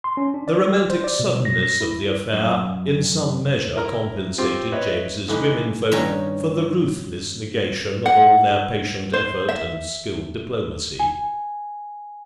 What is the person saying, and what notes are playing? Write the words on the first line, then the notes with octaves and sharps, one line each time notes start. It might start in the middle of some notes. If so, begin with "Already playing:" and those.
The romantic suddenness of the affair in some measure compensated James's women-folk for the ruthless negation of all their patient effort and skilled diplomacy.
C6
C#4
D4
D5
G4
C5
D5
B2
A#6
A#6
E4
F#2
E4 A#4 A#5
C4 F4 G4
B4 C#5 D#5 E5
D3 E3 A3 D#4
G2 D#3 C#4 D#4
F#5
C5
E5
G#5